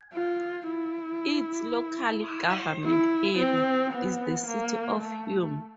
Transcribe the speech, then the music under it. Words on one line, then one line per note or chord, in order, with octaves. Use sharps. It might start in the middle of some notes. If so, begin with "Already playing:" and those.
Its local government area is the City of Hume.
F4
E4
E4
C4
B3
A#3
A3